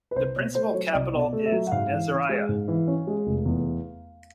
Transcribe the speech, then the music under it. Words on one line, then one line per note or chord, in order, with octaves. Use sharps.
The provincial capital is Nasiriyah.
B4
C2 C5
B2 C#5
A3 C5
F#3 C#5
C2 D5
B2
D5
A3
E5
F#3
F#5
G#2 F5
E3
C#4
G#3
G#2
E3
C#4
G#3
F1
E2